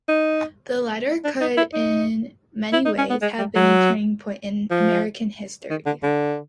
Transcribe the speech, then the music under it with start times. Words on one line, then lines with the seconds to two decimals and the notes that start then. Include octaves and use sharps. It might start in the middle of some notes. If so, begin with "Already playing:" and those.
The letter could in many ways have been a turning point in American history.
0.08 D#4
1.24 D4
1.41 D#4
1.57 E4
1.73 D#4
2.73 E4
2.85 D#4
2.98 C#4
3.10 B3
3.22 G#3
3.39 G3
3.55 F#3
4.71 F3
5.70 D#3
5.86 D3
6.03 D3